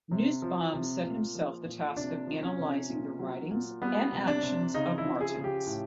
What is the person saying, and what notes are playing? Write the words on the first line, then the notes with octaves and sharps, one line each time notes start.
Nussbaum set himself the task of analysing the 'writings and actions' of Martens.
C3
F3
C3
A#2
F3
A#2
C3 D4
F3
C#4
C3
A#2
F#3
A#2
G3 B3
C3
D4
C3
C#3 D#4
E4
F3
G#4
C#3
G4
A2